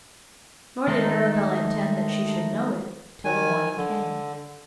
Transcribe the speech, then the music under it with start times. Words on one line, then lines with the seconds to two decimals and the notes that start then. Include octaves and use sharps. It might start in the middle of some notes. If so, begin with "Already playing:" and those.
Nor did Arabella intend that she should know it till the morning came.
0.87 D#3 G#3 A3 D#4
3.25 D#3 G#5
3.77 D3